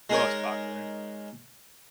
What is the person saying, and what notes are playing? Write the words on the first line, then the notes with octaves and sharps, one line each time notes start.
the most popular.
G#3 D#4 A#4 C#5